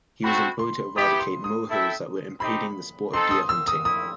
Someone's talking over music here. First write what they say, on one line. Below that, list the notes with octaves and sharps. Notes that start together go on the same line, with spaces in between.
He was employed to eradicate molehills that were impeding the sport of deer hunting.
A3 C4 F#4 B5
C6
B3 E4 G4 D#6
C6
D#6
A3 E4 A4 E5 G5
C4 D#4 G4 B5
C4 D#4 A4 C6
D#6
E6
D#6
E4 D#6